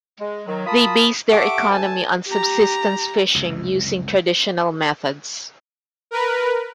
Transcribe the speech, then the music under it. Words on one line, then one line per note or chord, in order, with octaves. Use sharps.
They base their economy on subsistence fishing using traditional methods.
G#3
D#3 F#3
F4 A#4 A5 B5 D#6
G4 A4 E5 F#5 C#6 D6
D2 G#5 A5
G4 A#5
C#2 F#2 C3
A#4 B4